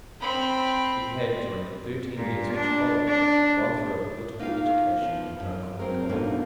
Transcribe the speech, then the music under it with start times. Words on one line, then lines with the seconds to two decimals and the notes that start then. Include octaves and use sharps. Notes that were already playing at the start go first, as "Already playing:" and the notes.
He had, during the thirteen years which followed, gone through a political education of no common kind.
0.20 C4 B5
2.17 A#2
2.53 D4
3.07 D4
4.39 A#3 D#4 F4 E5 F5
4.99 E2 F3
5.40 F#2
5.79 F#3 C4 A#4
6.09 G2 B2 A3 A#3 D#4 F4